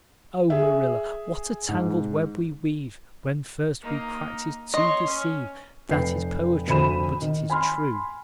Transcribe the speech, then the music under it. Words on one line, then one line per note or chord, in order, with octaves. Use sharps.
Oh, Marilla, 'what a tangled web we weave when first we practice to deceive.' That is poetry, but it is true.
G#4 E5
G#2
A#3 D#4
C#5 D#5 C6
C#4
F1 B4 G5 C7
F1 D2 C5 B5 D#7 E7
D#3
G#5 B5 C6 F6